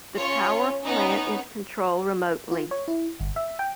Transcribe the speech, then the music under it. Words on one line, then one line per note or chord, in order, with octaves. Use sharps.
The power plant is controlled remotely.
C#4 F4 C#5
B3 C#4 D#4
F4
C#5
E4
G1
E5
G5